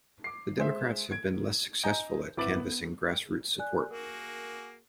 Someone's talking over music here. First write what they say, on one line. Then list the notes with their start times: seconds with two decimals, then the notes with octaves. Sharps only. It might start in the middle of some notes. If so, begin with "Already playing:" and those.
The Democrats have been less successful at canvassing grass-roots support.
0.24 D6 C7
0.58 G#3 G#4 C5 E5
1.11 G#6 D7
1.83 D#5 G#5 A#5 G6
2.37 G#1 E4 B4 D6 A6 F#7
2.54 B3
3.59 D5 G#5 F#6
3.91 A#3 F#4 G#4 A#4